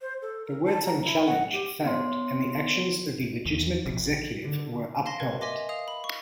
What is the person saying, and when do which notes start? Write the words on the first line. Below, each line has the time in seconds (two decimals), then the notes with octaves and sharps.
The Whetung challenge failed and the actions of the legitimate Executive were upheld.
0.01 C5
0.22 A4
0.45 A#4
0.65 A5
0.86 A#5
1.04 E4
1.26 F#5
1.53 G4
1.85 B3 C#5 C6
3.45 E2
3.86 A#1
4.44 D3
5.06 F5 A5 C6 A#6
5.20 A#4 B4 G#6
5.41 D#5 E5 G#5 C6 D6 A#6
5.69 F5 D#6 F7
5.88 B5
6.04 C#6